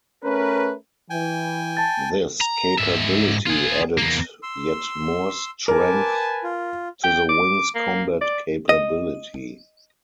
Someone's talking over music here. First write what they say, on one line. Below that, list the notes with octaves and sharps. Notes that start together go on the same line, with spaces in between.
This capability added yet more strength to the wing's combat capability.
A3 C#4 A#4 B4
E3 G5 G#5
A5 A6
A#5
G#2 E5
F4 G#4
E2 A#3
C6 E6
A#4 B4 G#5 A5 D6
F4
G5
D6
A#3
D5
D#5